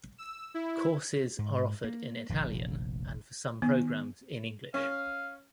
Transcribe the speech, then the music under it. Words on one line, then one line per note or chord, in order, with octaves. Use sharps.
Courses are offered in Italian and for some programs in English.
E6
E4
G#2
A#3
F1 A#1 A#2
D#3 B3
C#4 F5